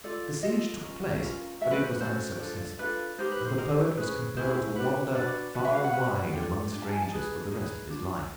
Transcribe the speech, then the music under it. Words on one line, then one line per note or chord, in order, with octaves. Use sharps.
The siege took place, but it was unsuccessful, and the poet was compelled to wander far and wide among strangers for the rest of his life.
F4 A4 D5
F4 A4 D#5
C#4 F4 A#4
C#4 F4 A#4
C#4 F#4 A4 E5
B4
C5
B4
C#4 F#4 A4 C5
D4 F4 A4
D4 F4 A4 B4
D#4 G4 A#4 C5
B4
C5
D#4 G4 A#4 C5
C#4 E4 G#4 B4
C#4 E4 G#4 B4 C5
D4 F#4 B4
D4 F#4 B4 D5
C#4 F#4 B4
E5
F5
F#5
C#4 F#4 B4
D4 F4 A4 G5
D4 F4
A5
G#5
A5
D#4 G#4 B4
D#4 G#4 B4
D4 F4